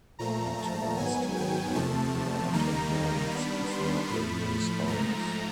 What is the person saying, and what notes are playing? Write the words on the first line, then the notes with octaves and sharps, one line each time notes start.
He turns to a pile of blood and bones before Amy's eyes.
A#2 F3 A3 A#5
A5
G#2 D#3 F#3 B3 G#5
G5
E2 C3 F3 A3 A5
D#2 D#3 G3 A#3 D#4 A#5
D#3 G3 B3 D4 B5
C6
A2 F3 A3 B5
G#2 F3 A3 A#5